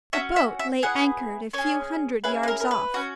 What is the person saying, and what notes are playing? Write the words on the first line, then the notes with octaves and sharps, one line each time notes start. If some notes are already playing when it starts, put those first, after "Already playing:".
A boat lay anchored a few hundred yards off.
C#4 F#4 E5
E5
E5
B3 E4 G#4 F#5
C#4 G#4 C#5
C#4 E4 G#4 B4
B4
A#4
A#4
B4
C#4 F#4